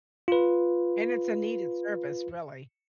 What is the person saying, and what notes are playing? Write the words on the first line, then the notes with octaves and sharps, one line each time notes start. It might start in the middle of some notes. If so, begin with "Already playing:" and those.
And it's a needed service, really.
F4 B4